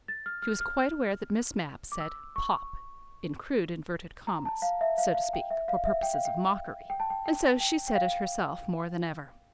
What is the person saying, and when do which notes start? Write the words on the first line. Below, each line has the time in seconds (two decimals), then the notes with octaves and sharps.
She was quite aware that Miss Mapp said "pop" in crude inverted commas, so to speak, for purposes of mockery, and so she said it herself more than ever.
0.08 A6
0.26 F6
0.42 F6
0.61 F6
1.92 D6
2.00 E6
2.36 C#6
4.27 A#5
4.45 A5
4.62 F5
4.81 E5
4.98 F5
5.15 F5
5.33 G5
5.50 E5
5.68 F5
5.85 E5
6.02 G5
6.13 F5
6.25 G5
6.90 G5
7.00 A5
7.10 G5
7.26 G5
7.60 G5
7.88 G5
7.95 F5